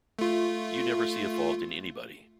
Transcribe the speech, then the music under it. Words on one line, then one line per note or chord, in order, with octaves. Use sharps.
You never see a fault in anybody.
A3 F4